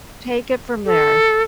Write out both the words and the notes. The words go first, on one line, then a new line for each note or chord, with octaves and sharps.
take it from there.
A4